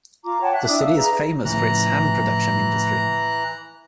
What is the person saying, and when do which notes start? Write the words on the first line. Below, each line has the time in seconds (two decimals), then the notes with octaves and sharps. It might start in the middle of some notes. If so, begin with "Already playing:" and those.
The city is famous for its ham production industry.
0.24 F4 A#5 D6
0.40 C#5 F#5 G5 A5
0.53 E5 F#6
0.67 D4 E4 D6 D#6
0.80 E5 F5
0.95 G#4 B4 A#5
1.45 A2 C#3 E3 F3 A#5 F#6